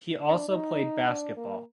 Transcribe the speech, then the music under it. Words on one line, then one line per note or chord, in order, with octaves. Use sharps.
He also played basketball.
D4
D#4
D4
A#3